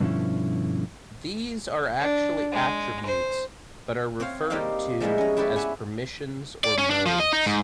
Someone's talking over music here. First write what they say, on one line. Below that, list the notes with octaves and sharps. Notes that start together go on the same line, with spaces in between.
These are actually attributes but are referred to as permissions or modes.
G2 B2 D3 F3 C#4 E4
D4
G#3
C5
C4 C5 C#5 F5
G3 A#3 C4 D#4 G4 F5
F3 G3 G#3 B3 D#4 E4
C#4 D#5
E4 G4 B4 C#5 D5
B4 E5 F#5 G#5
D5
C#4
D4
F3
D#5
D#4
G#2